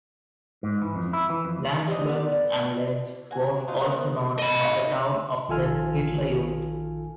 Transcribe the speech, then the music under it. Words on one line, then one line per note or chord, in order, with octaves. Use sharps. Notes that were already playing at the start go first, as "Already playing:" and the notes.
Landsberg am Lech was also known as the town of the Hitler Youth.
G#2
E3
F2
E4
E3
F2
G3 C4 D4 D#4
B3 D5
F#4 G#5
F#3 C#4 D#4 F4
B3 A#4 C5 F#5
D#5 B5
A#1 D#3 F4 A4 G#5 F6